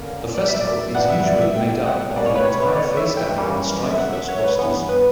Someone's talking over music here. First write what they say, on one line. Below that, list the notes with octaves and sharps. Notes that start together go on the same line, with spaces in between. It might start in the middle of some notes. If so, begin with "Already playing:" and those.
The festival is usually made up of the entire Facedown and Strike First rosters.
Already playing: E2 D3 A#3 C#4
D5
E5
D5
G2 E3 G3 B3 F#5
E5
D5
E5
G5
F#5
B2 G3 A#3 C#4 D5
C#5
B4
C#5
D5
C#5
E5
G5
F#2 E3 G3 A#3 C#4
E5
F#5
E5
C#5
B4
G2 E3 B3
B4